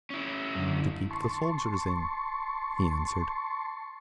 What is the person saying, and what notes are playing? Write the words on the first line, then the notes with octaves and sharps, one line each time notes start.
"To keep the soldiers in," he answered.
C#4 E4
F#2 D3
A5 C6 C#6